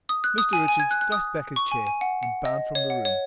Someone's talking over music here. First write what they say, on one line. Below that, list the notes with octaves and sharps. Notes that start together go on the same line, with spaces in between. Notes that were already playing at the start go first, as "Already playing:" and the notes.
Mr Richards thrust back his chair and bounded from the room.
D#6
F#6
D#6
G#5
G#5
G#6
F#6
F#6
D#6
C#6
G#5
G#5
F#5
F#5
D#5
C#5
F#5
C#5